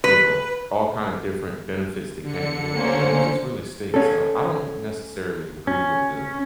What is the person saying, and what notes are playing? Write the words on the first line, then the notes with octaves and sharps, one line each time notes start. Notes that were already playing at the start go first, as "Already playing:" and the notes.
you know, all kind of different benefits that came with it, and it just really stinks. Uh, I don't necessarily agree with the
B4
D3 C#7
A#3 C#4 C5
C#4 A4
C#4